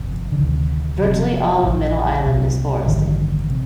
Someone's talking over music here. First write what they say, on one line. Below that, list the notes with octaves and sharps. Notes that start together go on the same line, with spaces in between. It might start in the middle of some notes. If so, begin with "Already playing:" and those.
Virtually all of Middle Island is forested.
Already playing: G1 F2 C3
D3
D2 C3 D#3
F1 F2 C3
A#1 A#2
C2 C3
A1 G2 D3 D#3
C3